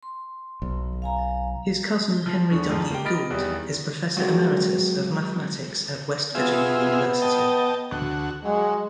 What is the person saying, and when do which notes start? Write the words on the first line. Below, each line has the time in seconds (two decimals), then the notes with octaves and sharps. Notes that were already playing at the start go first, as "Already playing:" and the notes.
His cousin Henry W. Gould is Professor Emeritus of Mathematics at West Virginia University.
0.03 C6
0.62 B1
1.02 F5 G#5 A#5
2.26 F3
2.50 E2 D3 C#6
2.69 F2 G#2 F3
2.91 A#3 G4 G5
3.05 D#5 B5 F6 A6 D7
3.31 E2 D#3 G3
4.17 F#3 G#3 A#3 C4 F4 F#4
6.35 B3 F4 G#4 E5
7.22 D#5 G5 A5
7.92 D2 F#4
8.45 F#3 G#3